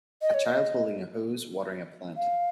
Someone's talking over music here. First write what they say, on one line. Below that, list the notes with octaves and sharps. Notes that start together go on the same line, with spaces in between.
A child holding a hose watering a plant.
D#5
C#5
D#5
F5